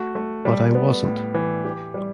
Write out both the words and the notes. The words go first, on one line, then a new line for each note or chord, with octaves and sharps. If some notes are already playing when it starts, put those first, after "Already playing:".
But I wasn't.
Already playing: A3 F#4
A3
G3
B3
A2
E3
G4
G3